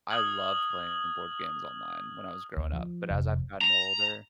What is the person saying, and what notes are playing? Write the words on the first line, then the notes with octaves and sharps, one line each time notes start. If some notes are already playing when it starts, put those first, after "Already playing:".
I loved playing board games online when I was growing up, but as I've gotten older
D#6 F6 G#6 F#7
D2
F3
F1
A#5